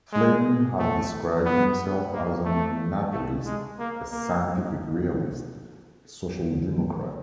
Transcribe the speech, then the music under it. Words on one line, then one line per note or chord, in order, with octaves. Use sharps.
Flynn has described himself as an "atheist, a scientific realist, a social democrat".
G#3
A3
B3
A#3
A3
A3
G#3
A#3
A#3